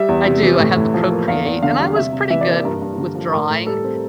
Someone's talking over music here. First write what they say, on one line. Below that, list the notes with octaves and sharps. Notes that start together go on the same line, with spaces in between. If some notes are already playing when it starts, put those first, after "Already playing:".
I do, I have the Procreate, and I was pretty good w with drawing,
Already playing: G3 E5
E2
C3
E3
A2
A2
F3
A#3
E2 F5
E2
D3 F5
G3
C3 E5
C3
E3 E5
D5
A#3 E5
G2 A#4
G2
D3
F3
A2 A#4
A2
G3 A4
C4